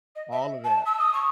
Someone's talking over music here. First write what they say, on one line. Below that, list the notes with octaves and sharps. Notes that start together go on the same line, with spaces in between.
All of it.
D#5
E5
A5
E6
D#6
C#6